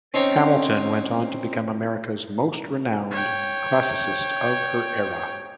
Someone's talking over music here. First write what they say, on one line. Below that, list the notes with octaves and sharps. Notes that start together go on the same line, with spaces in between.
Hamilton went on to become America's most renowned classicist of her era.
C4 C#4 D#4 C#5
C#5 G5